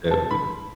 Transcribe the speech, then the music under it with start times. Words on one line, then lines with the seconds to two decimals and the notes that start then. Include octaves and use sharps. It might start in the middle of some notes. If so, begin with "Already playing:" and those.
That'd be
0.11 A5
0.31 B5